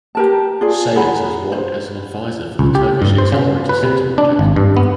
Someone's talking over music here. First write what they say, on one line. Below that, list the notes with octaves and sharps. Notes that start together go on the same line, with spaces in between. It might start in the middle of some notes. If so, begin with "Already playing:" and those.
Sayers has worked as an advisor for the Turkish Accelerator Center Project.
G4 A#4 A5
F4 G#4 D5
G#4 F#5 A#5 B5
C5
C#2
G4
G2
C5
C#3
B4
C3
D4
G#1
G2
B3